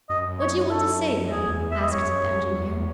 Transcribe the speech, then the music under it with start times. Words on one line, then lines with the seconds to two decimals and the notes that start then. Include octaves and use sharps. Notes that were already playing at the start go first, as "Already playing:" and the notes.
"What do you want to say, Neb?" asked the engineer.
0.09 F#2 D#5
0.40 C#5
0.70 A4
1.31 E2 G#4
1.71 E5
1.82 D#5
1.92 F#2 C#5
2.23 F#2
2.53 E2